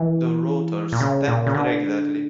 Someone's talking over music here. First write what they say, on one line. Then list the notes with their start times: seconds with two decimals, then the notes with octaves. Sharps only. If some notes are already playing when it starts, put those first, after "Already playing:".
The rotors stepped regularly.
Already playing: E3
0.92 A#2
1.00 C#3
1.28 A#2
1.47 C#3
1.54 D3